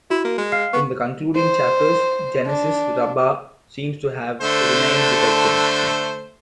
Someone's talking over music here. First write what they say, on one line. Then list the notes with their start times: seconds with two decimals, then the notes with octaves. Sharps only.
In the concluding chapters, Genesis Rabba seems to have remained defective.
0.10 E4 F#4
0.24 A#3
0.38 G#3
0.52 F5 F6 C7
0.73 B3 C#6
1.35 C5
2.46 D4
4.41 D3 A3 C5